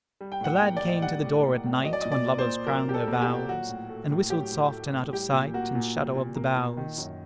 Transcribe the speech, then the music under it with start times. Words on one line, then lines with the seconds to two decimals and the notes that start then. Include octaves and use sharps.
The lad came to the door at night, When lovers crown their vows, And whistled soft and out of sight In shadow of the boughs.
0.21 G3
0.32 G5
0.41 A2 F#5
0.56 G5
0.61 A#3
0.77 A2 D5
0.89 D#5
1.02 G3 F#5
1.23 A2
1.43 A#3
1.64 A2
1.84 F#3 D#5
1.93 D5
2.01 D#5
2.05 A#2
2.12 D5
2.26 A#3
2.39 C5
2.46 A#2
2.66 F#3 A#4
2.88 A#2 G4
2.94 A4
3.08 A#3
3.13 F#4
3.21 G4
3.28 A#2
3.49 F#3 F#4
3.69 A2
3.89 A3
4.11 A2
4.30 F#3 G4
4.52 A2
4.71 A3
4.93 A2
5.13 G3 G4
5.33 A#2
5.54 A#3 F#4
5.75 A#2
5.95 G3
6.15 A#2
6.36 A#3
6.56 A#2
6.77 D#3
6.98 F#2